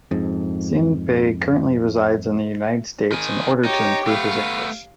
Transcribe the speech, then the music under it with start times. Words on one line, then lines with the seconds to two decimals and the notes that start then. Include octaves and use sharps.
Hsin Pei currently resides in the United States in order to improve his English.
0.11 F2 G#2
3.12 D#3 G#4
3.65 D#4 G4 C#5
4.07 A3 B3 F5